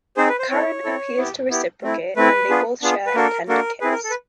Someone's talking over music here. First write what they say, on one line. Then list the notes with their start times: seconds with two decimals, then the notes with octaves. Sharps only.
Karen appears to reciprocate and they both share a tender kiss.
0.17 C4 D#4 G#4 C5
0.29 B4
0.39 C5
0.50 C4 E4 A4 C#5
0.84 C4 E4 A4
1.17 B3 E4 G4
1.50 B3 E4 G4
1.83 A3 C4 E4
2.16 A3 C4 E4 B4
2.49 B3 D4 F4 G#4
2.82 B3 D4 F4 G#4
3.06 B4
3.15 A#3 D4 F#4 A4 A#4
3.48 A#3 D4 F#4 A4 A#4
3.81 C4 E4 G#4 B4
3.92 A#4
4.04 A4
4.10 B4